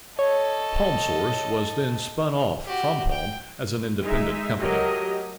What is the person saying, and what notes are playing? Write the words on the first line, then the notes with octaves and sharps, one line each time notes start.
PalmSource was then spun off from Palm as an independent company.
A4 C#5 D#5
F#4 G4
G5
G#3 D#4 E5
F#3 A3 G4 A#4 D#5